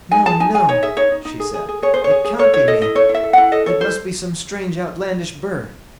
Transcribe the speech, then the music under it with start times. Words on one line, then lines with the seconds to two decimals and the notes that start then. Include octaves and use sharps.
'No, no!' she said, 'it can't be me; it must be some strange outlandish bird.'
0.11 D#4 G#5
0.26 G#4 A5
0.40 D#4 G#5
0.54 G#4 G#5
0.69 D#4 C#5
0.83 G#4 E5
0.97 D#4 C#5
1.12 D#4
1.25 D#4
1.40 G#4
1.54 G#4
1.69 G#4
1.82 G#4 C#5
1.94 G#4 C5
2.04 C#5
2.11 G#4
2.25 G#4
2.39 A4 C#5
2.53 E4 C#5
2.68 A4 D#5
2.82 E4 D#5
2.95 A4 C#5
3.09 E4
3.14 E5
3.23 A4
3.33 E4 F#5
3.52 A4 D#5
3.66 A4 C#5
3.80 E4 C5